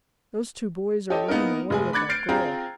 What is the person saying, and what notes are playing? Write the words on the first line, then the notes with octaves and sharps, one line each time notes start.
"Those two boys are running away with that girl!"
G4 A4 C#5 D#5
A#3 B3 D#4 E4 A#4
F1 G#4 G#5
B5 D6 F#6 G#6 A6 C#7
F6 G6 A6 C7 D7
C4 F4 G#4 G5 A#5